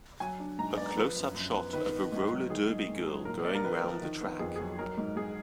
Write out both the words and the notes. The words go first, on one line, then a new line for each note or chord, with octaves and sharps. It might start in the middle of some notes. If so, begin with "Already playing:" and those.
A closeup shot of a roller derby girl going round the track.
F#3 G#5
D4
G#2 A#5
B3 D5
F3 B4
F#2
F#2
B3
D#3 B4
B3
G#2
F#3
D#3 G#4
G#2
G#2
F#3
A#2 A#4
A#3 D5
A#4
A#1 B4
F3
D#3
B3
F2 G#4
G#4
F#3
F#3 A#4
G#2
G#2 G#4